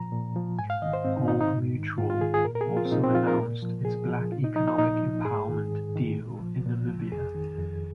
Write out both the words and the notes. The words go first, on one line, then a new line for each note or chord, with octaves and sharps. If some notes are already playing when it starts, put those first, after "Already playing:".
Old Mutual also announced its Black Economic Empowerment deal in Namibia.
Already playing: A#2 F3 A#5
A#2
F3
G#2 G#5
F5
D#3 D#5
C5
G#2 C4
D#4
D#3 D#4
D#4
G#2
D#3
G#2 F4
F4
D#3 G#4
G#4
A#2 A#4
A#4
G#4
F3
F4
C4
A#2 D#4
C4
F3 F4
A#4
A#2
F3
A#2 G#4
F3
A#2 F4
D#4
F3 D#4
D#4
A#2 D#4
F3
G#2 G#4
D#3
G#2
D#3
A#2
F3
A#2
F3
F2 G#4
D#3
F2